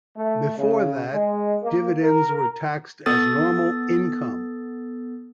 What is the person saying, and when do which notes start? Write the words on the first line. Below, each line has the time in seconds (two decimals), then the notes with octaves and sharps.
Before that, dividends were taxed as normal income.
0.17 A3
0.58 C#3
1.14 G#3
1.64 A#3
2.01 A#4
3.06 B3 A4 D#6 A6